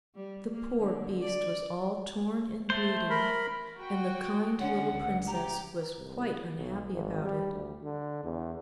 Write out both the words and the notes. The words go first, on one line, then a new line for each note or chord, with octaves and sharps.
The poor beast was all torn and bleeding, and the kind little Princess was quite unhappy about it.
G3
A#3
D3
D5
A3 C5
A#4 B5
F#4 G5
D3 C#4 F#5
C#2
G4 A#5
C2
B1
G#1
G3
D2
D3
E2